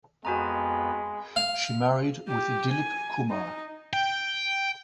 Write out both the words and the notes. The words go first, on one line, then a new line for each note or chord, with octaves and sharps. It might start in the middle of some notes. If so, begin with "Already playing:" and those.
She married with Dilip Kumar.
F2 G#3 B3 F#4 B4 G#5 A#5
F5
G4
G#5
D#4
G5